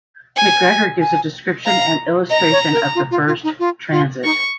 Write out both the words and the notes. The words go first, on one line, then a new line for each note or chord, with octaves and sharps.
Macgregor gives a description and illustration of the first "Transit".
G#5
G#5
F5 A#5
D#5 A#5
C#5
A#4
F4
F4
F4
D#4
F4
F4
D#4 C#6